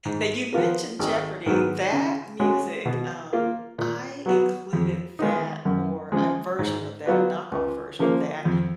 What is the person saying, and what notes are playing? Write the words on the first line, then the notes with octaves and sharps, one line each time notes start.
Now you mentioned Jeopardy, that music, um, I included that or a version of that a knockoff version of that,
G#2
F3 B3 F4 A#4
G#1
G#2 D#3 F#3 B3
C#3
G#3 C#4 F#4
B2
A#3 F4
A#2
F#3 B3 F#4
F2
D#3 G#3 B3 D#4
F#2
C#3 F3 G#3
G#2
F#3 B3 F4 B4
C#2
C#3 F3 A#3
F2